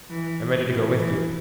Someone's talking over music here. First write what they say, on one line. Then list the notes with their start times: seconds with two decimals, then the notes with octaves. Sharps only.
"I'm ready to go with you."
0.10 E3
0.69 E3
0.99 E3